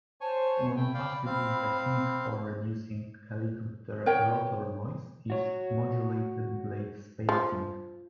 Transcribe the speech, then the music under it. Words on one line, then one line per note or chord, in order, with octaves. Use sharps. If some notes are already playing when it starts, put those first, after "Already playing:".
One possible technique for reducing helicopter rotor noise is "modulated blade spacing".
C5 C#5 G#5 A5 C#6
A3 G5 B5
D5 F5 G5
C4 F5
A#4 C#5 G5
F#4 C#5
F3